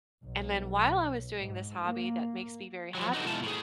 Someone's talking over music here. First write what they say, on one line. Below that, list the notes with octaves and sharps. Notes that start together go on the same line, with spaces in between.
And then while I was doing this hobby that makes me very happy
B1
G#2
A#3
F3 F#3
D3 D4 D#4 F#4
B2 G#3 E4 F4 A5
A2 G#4